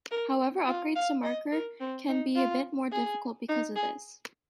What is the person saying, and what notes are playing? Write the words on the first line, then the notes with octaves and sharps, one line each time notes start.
However, upgrades to the marker can be a bit more difficult because of this.
A#4
F4
F5
D#5
A#4
C4
D#4
F4
G#4
D#4
G#4